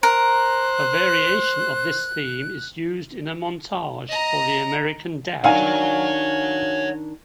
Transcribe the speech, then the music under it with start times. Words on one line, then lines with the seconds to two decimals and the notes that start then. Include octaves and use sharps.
A variation of this theme is used in a montage for the American Dad!
0.03 A#4 C5 F#6
4.09 D#5 A#5
5.44 D#3 D4 C#5 F5 F#5 G#5